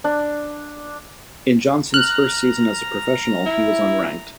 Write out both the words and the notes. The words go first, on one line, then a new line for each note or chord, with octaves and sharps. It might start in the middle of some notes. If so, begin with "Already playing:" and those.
In Johnson's first season as a professional he was unranked.
D4
A#5 F6 F#6
E4